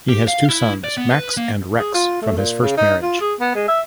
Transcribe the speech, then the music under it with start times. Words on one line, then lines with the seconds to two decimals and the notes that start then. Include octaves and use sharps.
He has two sons, Max and Rex, from his first marriage.
0.09 G4
0.28 F5
0.49 E4
0.84 D5
0.97 B3
1.11 B4
1.37 A#3
1.79 G#4
1.94 F4
2.22 A3
2.37 A#2
2.62 C#3
2.77 D#4
3.02 F4
3.20 G#4
3.40 B3
3.55 G#3
3.68 E5